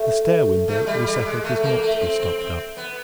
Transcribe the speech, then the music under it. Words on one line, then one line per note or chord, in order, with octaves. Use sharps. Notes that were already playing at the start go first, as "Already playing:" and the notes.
The stair window, we settled, was not to be stopped up.
Already playing: A3
A3
G3
G3
G#3
A3
A#3
A3
C4
C4
C4
B3